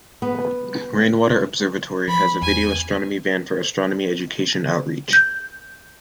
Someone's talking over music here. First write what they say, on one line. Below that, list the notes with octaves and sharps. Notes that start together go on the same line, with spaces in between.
Rainwater Observatory has a video astronomy van for astronomy education outreach.
B3
F3 B5
E2 G#5
G6